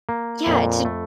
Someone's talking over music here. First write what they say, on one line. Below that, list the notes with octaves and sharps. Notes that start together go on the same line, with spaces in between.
Yeah, j
A#3
F2 A#2
A3